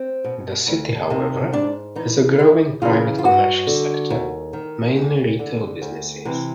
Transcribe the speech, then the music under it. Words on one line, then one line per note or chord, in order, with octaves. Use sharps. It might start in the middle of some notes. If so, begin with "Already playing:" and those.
The city however, has a growing private commercial sector, mainly retail businesses.
Already playing: C4
B2
D2
C3 D#3
G#2 D4
E3 D#4
D#2 E4
C#3 E3 F4
F4
G2 F#4
D3
D#2
D#3
D2
D3
D2
C3 E3